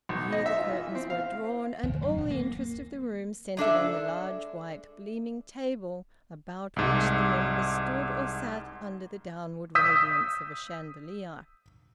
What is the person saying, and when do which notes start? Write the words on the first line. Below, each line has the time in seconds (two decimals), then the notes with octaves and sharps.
Here the curtains were drawn, and all the interest of the room centred on the large white gleaming table, about which the members stood or sat under the downward radiance of a chandelier.
0.09 B1
0.32 D#5
0.46 E5
0.58 F4
0.71 E3
0.95 C4
1.10 F5
1.83 D2
2.02 F#2
2.18 D#1
2.30 A#3
3.57 G#3 D4 A4 E5
6.76 C2 G#2
9.75 D#6 E6 G6 B6